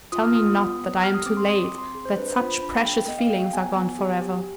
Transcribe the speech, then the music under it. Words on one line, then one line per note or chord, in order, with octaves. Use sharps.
Tell me not that I am too late, that such precious feelings are gone for ever.
F4 D#6
F6
F4 D#6
D#6
B3
B3
G4 F6
D#6
C4 D6
C6
C4 D#6
D6
C4
C6
G#4
C5
D4 B4
C5
F4 B5
D4 B5
G#4 G5
G5
B3 D#5
F5
G#4 G5
B3 G#5
B3
G4
G4